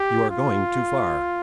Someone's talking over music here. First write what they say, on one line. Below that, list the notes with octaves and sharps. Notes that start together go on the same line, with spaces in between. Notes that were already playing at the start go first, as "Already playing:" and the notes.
You are going too far!
Already playing: G4
F4